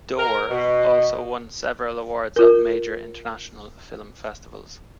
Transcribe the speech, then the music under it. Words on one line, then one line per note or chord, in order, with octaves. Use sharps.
"Door" also won several awards at major international film festivals.
A#4
B2
F4 A#4